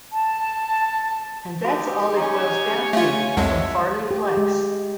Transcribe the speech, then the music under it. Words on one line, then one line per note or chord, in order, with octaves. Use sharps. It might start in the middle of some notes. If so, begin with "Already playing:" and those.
And that's all it boils down to, from Farley Flex.
A5
D#4 F#4 G4 D#5
C#5 G#5 A#5 C#6
A3 F4 E5 F5
C2 F2 G#3 C#5 E5 F#5 A5
G4
G#3